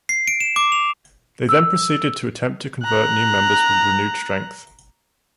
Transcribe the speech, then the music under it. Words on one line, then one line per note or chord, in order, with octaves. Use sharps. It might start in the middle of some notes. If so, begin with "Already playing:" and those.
They then proceeded to attempt to convert new members with renewed strength.
C7
D7
E7
D6
F7
E6
A#5 F#6